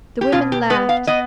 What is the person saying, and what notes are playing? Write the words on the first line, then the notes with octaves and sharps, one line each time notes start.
The women laughed.
G4
B2 F4
G4
B3 B4
F5
B3 D#5